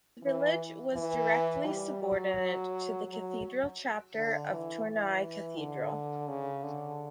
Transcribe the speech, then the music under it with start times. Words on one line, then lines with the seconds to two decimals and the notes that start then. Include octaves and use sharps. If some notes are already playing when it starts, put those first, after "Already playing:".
The village was directly subordinate to the cathedral chapter of Tournai Cathedral.
0.23 E3
0.94 E3
1.66 G3
2.02 F#3
3.08 F#3
4.15 D3
4.50 E3
4.86 E3
5.57 D3
6.28 C#3
6.64 D3